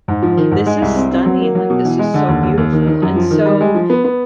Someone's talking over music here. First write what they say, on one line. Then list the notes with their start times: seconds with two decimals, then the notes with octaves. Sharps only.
this is stunning, like this is so beautiful," and so
0.08 G#2
0.22 F3
0.37 D#3
0.51 G#2
0.66 G#3
0.82 C2
0.96 C4
1.11 C4
1.26 F#3
1.41 A#3
1.55 F#3
1.70 B2
1.85 E3
1.99 G#3
2.14 D3
2.28 D#2
2.43 D#2
2.58 D#2
2.73 D#3
2.87 D#3
3.02 F#2
3.16 F3
3.31 D#3
3.45 G3
3.61 G#3
3.75 F3
3.90 B3
4.04 B3